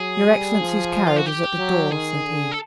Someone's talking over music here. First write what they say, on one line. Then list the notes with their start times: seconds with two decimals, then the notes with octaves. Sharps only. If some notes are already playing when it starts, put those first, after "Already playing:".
"Your excellency's carriage is at the door," said he.
Already playing: F#3 G#4
0.26 G3
0.60 F3
1.07 F4
1.16 F#4
1.26 G4
1.58 F#3
1.91 D#3 G#4
2.25 D3
2.51 A4